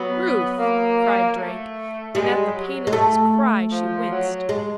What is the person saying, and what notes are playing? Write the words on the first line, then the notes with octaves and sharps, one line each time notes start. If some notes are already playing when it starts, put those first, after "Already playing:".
"Ruth!" cried Drake, and at the pain in his cry she winced.
Already playing: F#3 B3
A#3
A3
G3 G#3
F#3
G#3
A3
F3
F#3
G#3